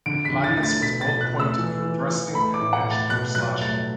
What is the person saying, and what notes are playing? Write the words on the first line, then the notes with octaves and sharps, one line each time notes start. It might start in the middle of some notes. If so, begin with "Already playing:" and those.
The gladius was both pointed for thrusting and edged for slashing.
D3 D7
B6
D3
A6
A3
A6
B2 B6
A6
B2
F#6
A3
E6
E3
E3
E3
A3 B5
D6
A2
F#5
A3
A6
B2 F#6
F#3 F#6
A3 A6